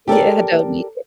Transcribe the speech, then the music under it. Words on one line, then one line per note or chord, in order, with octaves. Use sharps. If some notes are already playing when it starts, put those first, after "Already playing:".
Yeah, I don't need it.
G4 A4 A#4 D5